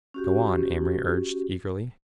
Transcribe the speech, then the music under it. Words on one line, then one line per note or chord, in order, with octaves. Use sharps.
"Go on," Amory urged eagerly.
C#4 F#4 G4